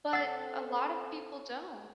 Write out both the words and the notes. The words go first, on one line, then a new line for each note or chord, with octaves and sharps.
But, a lot of people don't.
C4 A4 F#5 E6 A6